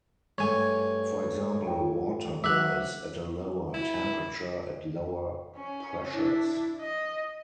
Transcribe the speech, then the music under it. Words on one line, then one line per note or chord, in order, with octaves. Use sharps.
For example, water boils at a lower temperature at lower pressures.
G2 A3 C#5 G#5
F4 G5
F#3 B4 E5 D6 E6 F#6
E4
C#4
D4 E4
D#5